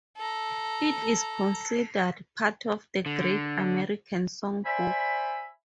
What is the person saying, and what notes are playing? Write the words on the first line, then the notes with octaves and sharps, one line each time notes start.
It is considered part of the Great American Songbook.
A4 A#5
D3
C5 D5 E5 G#5 B5